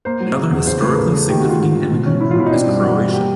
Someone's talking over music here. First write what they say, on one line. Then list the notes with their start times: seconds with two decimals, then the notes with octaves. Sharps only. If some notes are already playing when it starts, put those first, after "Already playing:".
Another historically significant immigrant group is Croatian.
0.05 A#3 C5
0.20 F#3
0.37 C#3
0.51 E2
0.67 C#3 C5
0.81 A3 B4
0.95 C#3 A#4
1.09 A3 B4
1.29 D#3 G4
1.39 D#3 F#4
1.49 F4
1.59 G#2
1.75 G#2
1.91 B2
2.06 C#4
2.21 C#4 E4
2.31 F4
2.36 B2 E4
2.46 D#4
2.51 C4 D4
2.67 G2
2.82 E3 F#4
2.98 G2
3.07 F#4
3.13 A#3 G4